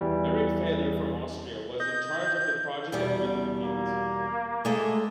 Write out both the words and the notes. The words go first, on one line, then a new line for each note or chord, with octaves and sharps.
Eric Thaler from Austria was in charge of the project at Winfield's.
E2 E3 G3
D#5 G6
E2 B2 G3
A#3
G#3 A3 D#5